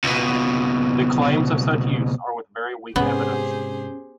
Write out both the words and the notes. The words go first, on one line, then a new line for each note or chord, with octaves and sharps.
The claims of such use are with very weak evidence.
C#2 B2
G#2 C3 B3 C#4 G4 G#4 C5